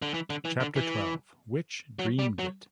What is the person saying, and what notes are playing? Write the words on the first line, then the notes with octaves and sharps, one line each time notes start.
Chapter Twelve - Which dreamed it?
D3
E3
D3
E3
D3
E3
F#3
G3
F#3